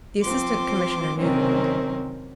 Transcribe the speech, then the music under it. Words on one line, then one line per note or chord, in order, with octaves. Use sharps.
The Assistant Commissioner knew the lady.
F3 C4 F4 C6 D6
C3 D#3 F#3 C4 C#4 A#4